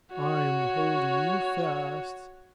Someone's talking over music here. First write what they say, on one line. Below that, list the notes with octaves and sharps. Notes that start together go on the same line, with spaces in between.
"I am holding you fast!"
F#4 C#5